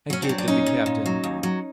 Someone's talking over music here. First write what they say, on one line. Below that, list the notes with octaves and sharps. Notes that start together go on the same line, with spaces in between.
I gaped at the captain.
F#3 C#4
C4 D4
F#3
D4
A#2 C#4 D#4
A#2
A#2
F#3
D#2
F#3